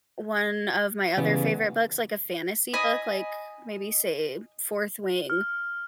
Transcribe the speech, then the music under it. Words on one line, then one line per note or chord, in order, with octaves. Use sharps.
one of my other favorite books, like, a fantasy book, like, maybe say, Fourth Wing,
C#3 E3 G3 B3
D#5 G#5 B5
F6